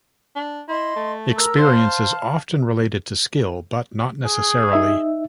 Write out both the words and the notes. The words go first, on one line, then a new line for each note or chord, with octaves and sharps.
Experience is often related to skill, but not necessarily.
D4
E4 D#5 C6
A3
A#4 A#5 E6
C5 F5 A5
G#4
D#4 E5